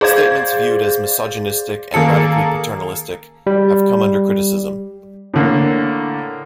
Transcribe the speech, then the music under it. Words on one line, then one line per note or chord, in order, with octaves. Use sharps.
Statements viewed as misogynistic and radically paternalistic have come under criticism.
G#4 C5 D5 F5 G#6
D#3 A#3 G#4 A4 C#7
G3
A2 D3 A#3